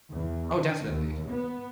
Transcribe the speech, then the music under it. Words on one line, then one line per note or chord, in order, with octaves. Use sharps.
Oh, definitely.
E2
D3
D#2
B3